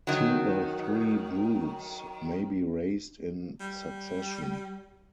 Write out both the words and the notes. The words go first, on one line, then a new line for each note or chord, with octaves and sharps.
Two or three broods may be raised in succession.
D#3 F#3
G3